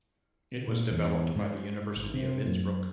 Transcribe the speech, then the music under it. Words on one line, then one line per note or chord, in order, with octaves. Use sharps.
It was developed by the University of Innsbruck.
A#2
E2
G#2
G#1
C3
F#2